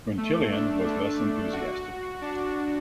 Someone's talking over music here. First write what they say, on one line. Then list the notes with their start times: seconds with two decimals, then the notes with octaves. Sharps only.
Quintilian was less enthusiastic.
0.17 A3
0.52 D4
0.85 D4
1.53 F#4
2.21 D4